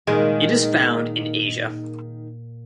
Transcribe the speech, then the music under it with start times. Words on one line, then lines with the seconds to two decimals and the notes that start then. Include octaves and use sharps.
It is found in Asia.
0.07 A#2 D#3 G#3